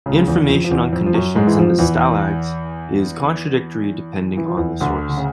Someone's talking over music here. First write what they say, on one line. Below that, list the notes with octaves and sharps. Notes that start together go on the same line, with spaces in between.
Information on conditions in the stalags is contradictory depending on the source.
C#2 C#3
E2 E3
F2 F3
F3
E2 E3
F2 F3
F3
F#2 F#3
G#2 G#3
E3
F2 F3
E2 E3
E3
F3
E2 E3
D2 D3
D3
C#3